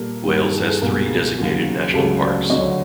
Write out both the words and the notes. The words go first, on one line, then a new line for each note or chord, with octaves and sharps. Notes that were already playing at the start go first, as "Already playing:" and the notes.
Wales has three designated national parks.
Already playing: A#2 G3 A#3 G4 A4
G2 D#3 G3 A#3 F#4
G4
G#4
A4
C#2 B2 G3 A#3 G#4 A#4
D#2 C#3 F#3
C#2 C#3 F#3 A3 G4 A4
C5 D5
D2 D3 F#3 C#5 D#5